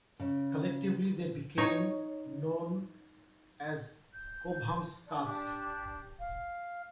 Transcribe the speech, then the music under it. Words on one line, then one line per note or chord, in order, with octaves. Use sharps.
Collectively they became known as Cobham's Cubs.
C#3
D#4 C#5
G6
D5 A5
D4 G4
F5